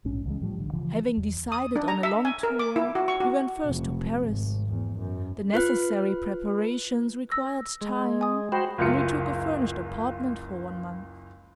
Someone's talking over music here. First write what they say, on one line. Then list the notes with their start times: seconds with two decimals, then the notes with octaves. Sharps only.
HAVING decided on a long tour, we went first to Paris; the necessary preparations required time and we took a furnished apartment for one month.
0.05 A#1 G#2 C#4
0.26 C#2 E3 G#3
0.42 A2 F3 G3
0.59 A1 D3
0.73 C#3 E3 F3
1.17 E2
1.52 D#6
1.76 D4
1.88 A#5
2.03 E5
2.25 G#5
2.43 A#4
2.59 D6
2.76 E4
2.95 F#4
3.08 C#6
3.20 F#4
3.66 F1
4.20 G#1
4.67 E2
4.99 F#2
5.54 F4 B4 F#6
7.32 E6 A#6
7.81 G#3
8.21 G#5 D#6
8.52 F#4 C5 G5 B5
8.78 F#1 C#2 F4 C#7